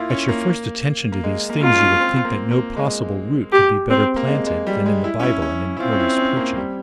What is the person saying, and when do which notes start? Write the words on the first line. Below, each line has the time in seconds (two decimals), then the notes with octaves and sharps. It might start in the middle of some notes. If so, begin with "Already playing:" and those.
At your first attention to these things you would think that no possible root could be better planted than in the Bible and in earnest preaching.
Already playing: A#3 E4 F4
0.10 C#4
0.29 A#3
1.12 A#3
1.24 G#3
1.50 A#3
1.57 G#3
1.62 A#3 F4
1.75 C#4
2.00 C4
2.25 A#3
2.51 A#3
2.76 G#3
3.52 G4
3.90 C4
4.16 A#3
4.27 G#3
4.46 G#3
4.67 G3
4.86 G#3
5.04 E4
5.20 C#4
5.23 E4
5.42 C#4
5.77 E4
5.80 C4 F4
5.92 C#4
5.99 E4
6.18 C#4
6.37 A#3
6.56 G3